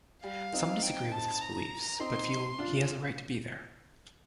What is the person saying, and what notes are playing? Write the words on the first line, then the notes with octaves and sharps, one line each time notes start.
Some disagree with his beliefs, but feel he has a right to be there.
G3 F5
C4 D#4
G5
A5
A#5
C4 D#4 C6
D4 F4